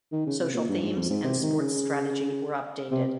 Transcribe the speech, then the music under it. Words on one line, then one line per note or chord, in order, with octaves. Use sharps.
Social themes and sports strategy were updated.
D#3
C#3
C3
A#2
G2
G#2
F2
G#2
C3
D#3
C#3
C3